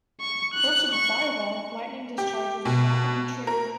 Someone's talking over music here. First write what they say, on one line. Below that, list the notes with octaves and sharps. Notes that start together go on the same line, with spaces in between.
Close to the fireball, lightning discharges were rapidly triggered.
C#6
F#6
C#6
G4
B2
A#4